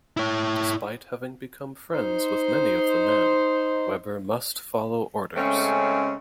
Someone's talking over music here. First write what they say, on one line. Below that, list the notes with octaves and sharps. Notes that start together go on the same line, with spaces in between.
Despite having become friends with many of the men, Weber must follow orders.
E4 C#5
D#4 C5
C#3 G#3 A3 C4 C#4